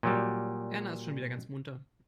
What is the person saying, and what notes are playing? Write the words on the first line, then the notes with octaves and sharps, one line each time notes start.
Erna ist schon wieder ganz munter.
A#2 F#3 G3